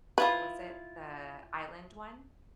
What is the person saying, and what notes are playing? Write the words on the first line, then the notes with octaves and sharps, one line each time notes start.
what was it, the island one?
E4 F4 B4 D#6